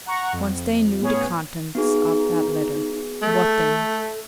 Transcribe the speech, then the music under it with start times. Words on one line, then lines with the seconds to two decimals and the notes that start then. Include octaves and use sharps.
Once they knew the contents of that letter--what then?
0.06 F#5 A#5 C#6
0.33 F2
1.01 A2 B3 C#4 G#4 C#5
1.75 B3 D#4 F#4 G#4
3.22 A3 A4